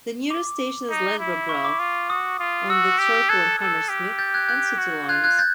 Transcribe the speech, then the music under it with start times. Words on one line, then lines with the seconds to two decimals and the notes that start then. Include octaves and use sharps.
The nearest station is Ladbroke Grove on the Circle and Hammersmith and City lines.
0.30 D6
0.90 D#4
1.19 E4
1.49 C#6
1.65 D6
1.80 F4
2.10 F#4 D#6
2.39 F4
2.70 F#4 E6
2.99 G4
3.29 A4 F#6 G#6
3.59 A4
3.89 G4
4.19 G6 A6
4.34 F#6 G#6
4.48 F#6 G#6
4.78 F#4
5.09 F4 F#6 G#6
5.24 F#6 G#6
5.39 G6 A6